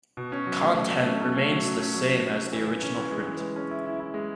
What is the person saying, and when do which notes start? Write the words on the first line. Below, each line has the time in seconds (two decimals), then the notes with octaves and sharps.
Content remains the same as the original print.
0.17 B2
0.32 C#4
0.47 F#3
0.62 A3
0.76 B2
0.91 A3
1.06 C#4
1.21 A3
1.35 C#4
1.50 F#3
1.65 F#3
1.80 C#4
1.94 F#3
2.09 F#3
2.23 F#3
2.38 F#3
2.52 E3
2.67 E3
2.83 C#4
2.96 E3
3.12 G#3
3.26 E3
3.40 G#3
3.56 C#4
3.71 E4
3.85 E4
4.00 E4
4.14 G#3